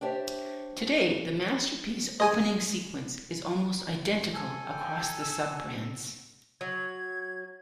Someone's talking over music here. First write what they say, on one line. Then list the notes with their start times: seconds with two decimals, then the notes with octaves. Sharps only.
Today, the "Masterpiece" opening sequence is almost identical across the sub-brands.
0.01 D4 G4 C5 C#5 E5
2.20 D#5 G#5 D#6
4.33 A4 G#5
4.65 G5
5.20 E6
6.61 F#3 G#6